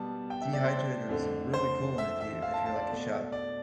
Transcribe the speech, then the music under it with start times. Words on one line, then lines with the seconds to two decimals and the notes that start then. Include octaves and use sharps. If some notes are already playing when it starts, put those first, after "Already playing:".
Dehydrator is a really cool one if you if you're like a chef.
Already playing: B2 G3 B3 A5
0.30 G5
0.41 E5
0.53 D5
0.64 C5
1.09 F2 D3 A3
1.54 C5
1.98 E5
2.21 E5
2.42 F5
2.54 A5
2.66 A5
2.76 D5
2.88 B2 A3
3.32 D5